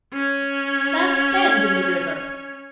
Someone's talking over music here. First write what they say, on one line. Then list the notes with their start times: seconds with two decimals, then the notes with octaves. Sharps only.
"That bend in the river."
0.13 C#4 C#5